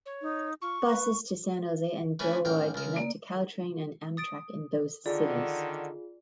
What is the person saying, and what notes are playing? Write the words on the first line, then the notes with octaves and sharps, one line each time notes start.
Buses to San Jose and Gilroy connect to Caltrain and Amtrak in those cities.
C#5
D#4
F4 C#6
B4
E3 A3 C#4
A1 A#4 G5
C#2 A#4
A#3 D5
D#6 A6 D7
D3 D#3 F4 G#4 D5